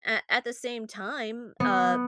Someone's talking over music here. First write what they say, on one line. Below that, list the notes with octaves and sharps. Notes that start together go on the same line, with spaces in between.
a at the same time, uh,
B3